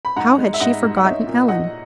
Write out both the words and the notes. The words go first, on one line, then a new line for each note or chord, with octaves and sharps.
How had she forgotten Ellen?
B5
G#2 F#5 A#5
G#3
E5
G#2 D#5 F#5
G#2
F#5
D#4 C#5 E5
A#2
D#4 D#5 F#5